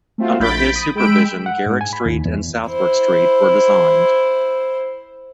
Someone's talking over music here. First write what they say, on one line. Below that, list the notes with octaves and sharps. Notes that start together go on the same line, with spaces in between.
Under his supervision, Garrick Street and Southwark Street were designed.
A3 C4 F4 F#4
A#1 B5 G6 A6 B6 D7
B5 D#6
G#3 G5 B5 E6 D7
F#5
G#2
G#5
B5
D#2
E2
E4 C5